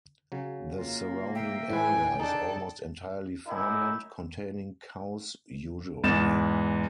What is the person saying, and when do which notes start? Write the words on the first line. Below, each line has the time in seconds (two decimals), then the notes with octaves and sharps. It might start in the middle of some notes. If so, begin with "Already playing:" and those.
The surrounding area is almost entirely farmland, containing cows usually.
0.32 C#3 F#3
0.77 A#3 F4
1.35 E5 G5
1.70 A2 E3 B4 G#5
2.20 D4 D#4 G#4 A4
3.47 F#2 D#4 E4
6.03 E2 G#2 A6 E7